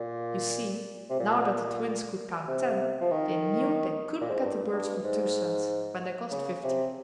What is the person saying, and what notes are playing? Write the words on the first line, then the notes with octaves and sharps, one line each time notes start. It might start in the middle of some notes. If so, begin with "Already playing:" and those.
You see, now that the Twins could count ten, they knew they couldn't get the birds for two cents when they cost fifty.
Already playing: A#2
C3
A#2
C3
F3
D#3
A#2
G#2
G2
G2
G#2
C#3
C3